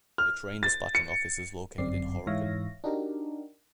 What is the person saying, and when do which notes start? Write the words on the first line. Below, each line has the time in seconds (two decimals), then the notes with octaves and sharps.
The train dispatching office is located in Horicon.
0.18 F6
0.63 A6
0.95 C#7
1.78 G1 F#2 C4 D5 C7
2.27 G#2 E3 C#5 E5 F5 A#6
2.84 D4 D#4 F#4 G4 A#4